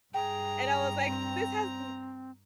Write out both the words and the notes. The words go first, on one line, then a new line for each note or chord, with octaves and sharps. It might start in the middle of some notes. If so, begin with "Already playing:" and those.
and I was like, "This has b
G2 G#4 G5 A#5
C4